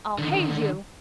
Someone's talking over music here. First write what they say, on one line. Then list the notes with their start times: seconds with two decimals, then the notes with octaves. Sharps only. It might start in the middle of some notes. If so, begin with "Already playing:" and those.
I'll haze you!
0.18 D3 D#3